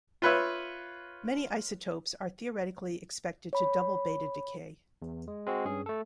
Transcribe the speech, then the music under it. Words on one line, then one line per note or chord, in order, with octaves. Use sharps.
Many isotopes are theoretically expected to double beta decay.
F4 B4 C#5 E5
C#5 B5
E2
G#3
G#3 C4 F#4
G2 C#4 G#4
A3 A4